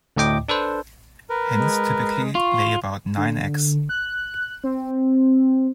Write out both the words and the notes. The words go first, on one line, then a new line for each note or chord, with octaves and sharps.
Hens typically lay about nine eggs.
D2 A2 D#5 G5 D6
D4 A4 B4 C5
A#4 B4
G#3
F4 C#6
D3
F#6
C4